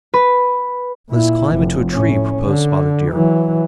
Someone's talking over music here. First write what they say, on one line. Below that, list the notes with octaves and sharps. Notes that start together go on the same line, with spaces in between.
"Let us climb into a tree," proposed Spotted Deer.
B4
A#2 E4
F1
A2 C#4
D3
E3 F#3